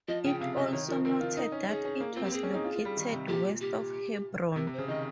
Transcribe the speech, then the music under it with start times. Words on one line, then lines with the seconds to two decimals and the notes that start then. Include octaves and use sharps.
It also noted that it was located west of Hebron.
0.08 F3 D#5
0.24 C#3 G5
0.41 C3 F5
0.57 C3 D#5
0.72 D#3 C#5
0.88 F3 A#4
1.05 C4 A#4
1.20 F4
1.37 D#4
1.52 C#4
1.68 C#4 G#4
1.85 C#4
2.00 A#3
2.14 C4 F4
2.24 G4
2.32 C4 G#4
2.43 C#4
2.54 D#4
2.64 F4
2.76 F4
2.85 G3
2.97 D#3
3.12 C3
3.28 A#2 G4
3.61 G4
4.56 C3 A#4
4.67 C3
4.73 C5
4.78 C#3
4.88 D#3 D#5